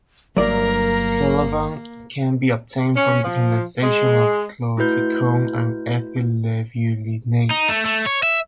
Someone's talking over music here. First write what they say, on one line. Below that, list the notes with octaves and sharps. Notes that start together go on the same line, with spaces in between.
Kelevan can be obtained from the condensation of chlordecone and ethyl-levulinate.
G1 F#3 A#3 A#4 D5
C#4
F3
G#3
A3 E4 F#4 B4 G6
D#4
A3
A3
C#5
E5